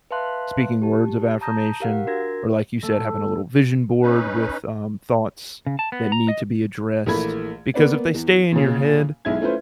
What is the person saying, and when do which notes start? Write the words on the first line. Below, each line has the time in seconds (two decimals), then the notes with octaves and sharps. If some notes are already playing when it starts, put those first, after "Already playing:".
speaking words of affirmation, or like you said, having a little vision board with, um, thoughts that need to be addressed, because if they stay in your head,
0.11 B4 E5 F5 A5 C6 F#6
0.82 G4 A5
1.41 A5 A#5 D#6 G6 A#6
1.80 G4 A#4 F5 F#5
2.07 D4 F#4 A#4 G#6 A#6
2.83 A3
4.03 C#4 D#4 B4
5.66 C#3
5.79 A5
5.92 B3
6.12 A#5
6.28 D#5
7.06 A#1 E3 A3 A#3 B5 G#6
7.74 A#3 B3 B4 D5
8.14 E2
8.52 A#2 C#3
9.25 B1 G#3 E4 G#6
9.41 A3 C#4 E4 F4 B4 C5